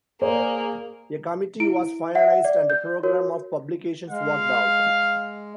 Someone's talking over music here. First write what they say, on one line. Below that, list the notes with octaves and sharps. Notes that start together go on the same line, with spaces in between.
A committee was finalised and a programme of publications worked out.
A#3 G#4 C5 D5
E4 D7
E5 F#5
D5
G6
F#4 A#4 C#5
G#3 F5